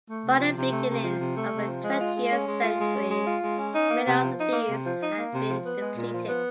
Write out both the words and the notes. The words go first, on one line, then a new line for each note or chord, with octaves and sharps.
By the beginning of the twentieth century, many of these had been depleted.
A3
C3
F3
C3
A3
C3
F3
C3
A3
C3
F3
G#3
F4
G#3
C#4
G#3
F4
G#3
C#4
G#3
F4
G#3
C#4
D#4
A#3
C3
F3
D#4
A#3
C3
F3
D#4
A#3
C3
F3
B3
G#3
A#2
F3
B3